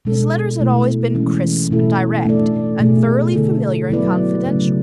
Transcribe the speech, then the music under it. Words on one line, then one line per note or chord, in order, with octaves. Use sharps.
His letters had always been crisp and direct, and thoroughly familiar and confidential.
B2 G#3 D4 A4
B2 A3 E4
E3 G#3 C#4
B2 A3 E4 A4
A3 D4 A4 D5
B2 A3 D4 G#4
D3 A3 E4 A4
F#3 B3 E4 B4 D5
C#3 F#3 A3 C#4